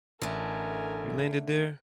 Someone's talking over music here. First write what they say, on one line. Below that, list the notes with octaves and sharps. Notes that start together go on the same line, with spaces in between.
you landed there?
A1 D3 A3 A#4 G#5